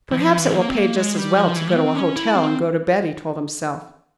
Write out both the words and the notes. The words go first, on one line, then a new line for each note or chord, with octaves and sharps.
"Perhaps it will pay just as well to go to a hotel and go to bed," he told himself.
E3
F3
E3
C4
A#3
C4
A#3
G#3
G3
F3
E3
C4
C#4
E4
C4